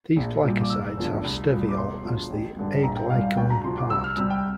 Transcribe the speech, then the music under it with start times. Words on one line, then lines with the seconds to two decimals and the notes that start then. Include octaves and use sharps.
These glycosides have steviol as the aglycone part.
0.16 A#1
0.43 A#2 G3
0.61 D6
0.70 F1 E6
0.97 E2 D3 F3
1.24 C2
1.50 A#2 G3
1.69 D6
1.77 E1 C6
2.04 D2 D3 F3
2.30 A1
2.57 G2 D3 G3
2.83 A#1 A#5
2.96 G5
3.10 A2 G3 F5
3.23 F5
3.37 D2 G5
3.50 A#5
3.64 C3 F3 C6
3.77 D6
3.90 C2 E6
4.04 F6
4.17 C3 G3 E6
4.30 G5